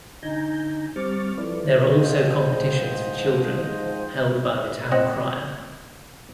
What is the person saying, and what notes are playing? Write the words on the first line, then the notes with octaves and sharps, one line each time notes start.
There are also competitions for children held by the town crier.
D3 D#4 G#5 A#5 G6
G3 C4 C#6 D6 F6 A6
F3 E4 A4 B4 D5
G#2 F3 C5 D#5 G5
C4 D#5 F#5